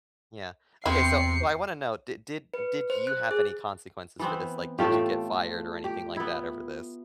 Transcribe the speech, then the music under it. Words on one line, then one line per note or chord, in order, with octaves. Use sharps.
Yeah. Okay, so so I wanna know, did did did you have any consequences for this? Like, did you get fired or anything like that over this?
E2 C3 E4 C7 C#7
B4
C5
F#6
G#4
E3 B3 C4
A2 A3 F4 G4 A4
G4
B3 E4